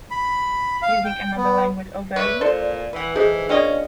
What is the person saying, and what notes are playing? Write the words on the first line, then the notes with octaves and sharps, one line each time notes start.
Using another language or version?
B5
F5
G5
B3
B4 C#5 D5 E5
A#2 A4 C5 D5
E3 B4 F#5
E3 D#4 G#4 A4 C5
A#3 C#4 D4 F4 D5 D#5 G5